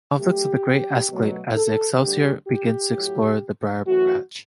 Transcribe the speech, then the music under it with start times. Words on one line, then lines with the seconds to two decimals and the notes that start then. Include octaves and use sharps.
Conflicts with the Grey escalate as the "Excelsior" begins to explore the Briar Patch.
0.17 G2 F#3 A3 G4
1.09 B2 F#3 A3
1.56 A4
2.01 D2 D3 G3 G4
2.47 G4
2.94 A2 F#3 A3
3.85 F#2 E3 A3 F#4